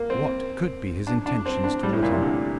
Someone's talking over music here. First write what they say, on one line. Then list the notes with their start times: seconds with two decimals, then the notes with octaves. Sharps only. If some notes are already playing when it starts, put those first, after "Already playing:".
What could be his intentions towards him?
Already playing: A#3
0.10 C4
1.07 D4
1.26 D4
1.46 C4
1.64 D4
1.83 G3
1.93 A2
2.03 A#2
2.12 C3
2.22 D3